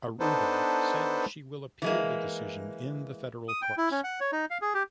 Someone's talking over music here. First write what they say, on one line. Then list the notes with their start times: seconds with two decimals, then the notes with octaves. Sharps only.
Arruda said she will appeal the decision in the federal courts.
0.20 B3 D4 D#4 A4 B4 C5
1.82 E3 G#3 A#3
3.48 D#6
3.62 G5
3.77 E4
3.91 C#4
4.04 F#5
4.20 C#5
4.32 D#4
4.51 F5
4.62 G#4
4.74 G4